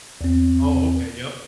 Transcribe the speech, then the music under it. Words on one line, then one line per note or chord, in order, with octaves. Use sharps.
Oh, okay, yep.
E2 C4